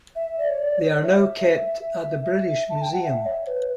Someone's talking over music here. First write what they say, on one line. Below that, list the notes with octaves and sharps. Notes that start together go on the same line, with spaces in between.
They are now kept at the British Museum.
E5
D5
C#5
D5
C#5
E5
A5
G5
F#5
E5
C#5
B4